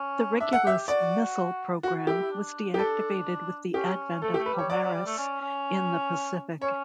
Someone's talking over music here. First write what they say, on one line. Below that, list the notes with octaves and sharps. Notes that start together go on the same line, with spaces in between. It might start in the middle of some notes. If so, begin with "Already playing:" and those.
The Regulus missile program was deactivated with the advent of Polaris in the Pacific.
Already playing: C#4
D4 E5
A4 F#5
G4 E5
F#4 D5
F#4
F#4
E4 G4
E4
D4
G4
D4 A4
C#4 G4
A3 A4
G4
A3
B4
G3 C#5
F#3 D5
F#3
G3
A3
C#4
C#4
C#4 C#5